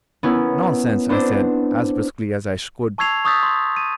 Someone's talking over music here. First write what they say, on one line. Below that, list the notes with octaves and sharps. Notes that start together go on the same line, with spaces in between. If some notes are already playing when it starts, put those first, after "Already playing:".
"Nonsense!" I said, as briskly as I could.
B3 C#4 E4 A#4
B3 C4 D4 B4 C5 D5
A5 C#6 E6 G#6 C7 F7
C#6 D#6 E6 G6 A6 B6
C6
D#7